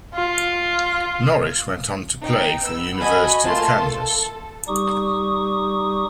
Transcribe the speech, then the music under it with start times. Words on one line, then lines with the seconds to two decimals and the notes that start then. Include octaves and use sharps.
Norris went on to play for the University of Kansas.
0.15 F4
2.21 D#4 G5
2.65 B3 E6
2.99 F#4 A4 D#5 G#5 B5
3.45 A3 A#3 F4 A5 C6
3.80 A4
4.68 G3 D#4 G4 C#6 D#6